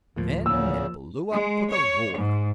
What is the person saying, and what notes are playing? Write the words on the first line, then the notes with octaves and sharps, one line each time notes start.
Then it blew up with a roar.
D2 A2 F3 A#3
E2 C#3 E6
G#3
C#5
G#2